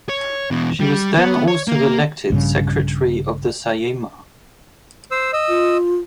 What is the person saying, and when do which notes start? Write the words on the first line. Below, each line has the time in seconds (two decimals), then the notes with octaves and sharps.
She was then also elected Secretary of the Saeima.
0.09 C#5
0.51 E2 B2
0.80 G3
1.18 B3
1.48 C#5
1.68 A#3
2.30 A#1 G2 C#3
5.11 C5 E6
5.33 D#5 E6
5.49 F4